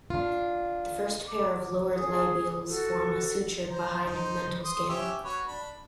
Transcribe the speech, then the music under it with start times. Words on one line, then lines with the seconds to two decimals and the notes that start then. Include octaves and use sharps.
The first pair of lower labials form a suture behind the mental scale.
0.10 D4 F4
1.28 D6
1.95 G#4 D#6
2.67 F#4 A4
3.70 C5 A#5
4.06 D#4 C5
4.64 C6 D#6
4.89 C#4 G4 E5
5.24 F#4 B4 C#5
5.47 D4 B5